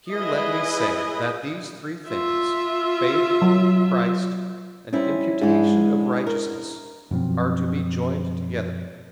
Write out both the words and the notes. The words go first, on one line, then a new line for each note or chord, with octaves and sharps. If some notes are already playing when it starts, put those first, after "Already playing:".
Here let me say, that these three things, faith, Christ, and imputation of righteousness, are to be joined together.
E4 G#4 B4 D#5
F4 E5
F#3
G3 C#4 D#4 E4 C5
G#2 G#3 D4 E4 G#4
A#4
F#2 B2 F3 C4